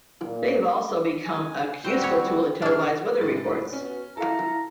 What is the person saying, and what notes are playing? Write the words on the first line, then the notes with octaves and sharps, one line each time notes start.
They have also become a useful tool in televised weather reports.
A#2
G#5
G3 C4 F#4 C5
G4 C#5
C3 D4 G#4 F6
D2 A2 D#3 G#3 A6
B3 C#4 F#4
E4 A4 F5 A#5